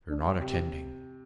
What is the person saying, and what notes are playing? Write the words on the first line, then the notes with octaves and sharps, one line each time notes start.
You're not attending.
D4
G4
C3 G4
G4